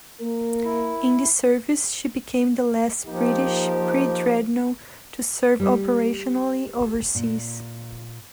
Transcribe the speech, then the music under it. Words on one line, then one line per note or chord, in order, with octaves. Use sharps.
In this service she became the last British pre-dreadnought to serve operationally overseas.
A#3 A#4
E4
F3 A#3 D#4 G4
G3
A#2